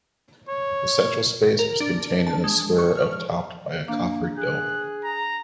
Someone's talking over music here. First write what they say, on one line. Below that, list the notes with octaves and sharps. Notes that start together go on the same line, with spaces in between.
The central space was contained in a square of topped by a coffered dome.
C#5
A#4
D4
A5
G#3
C#6
F6
A#3 D4
G#4 F#6
A#5